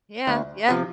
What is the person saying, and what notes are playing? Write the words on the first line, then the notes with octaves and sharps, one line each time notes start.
Yeah, yeah.
D2
C3 F3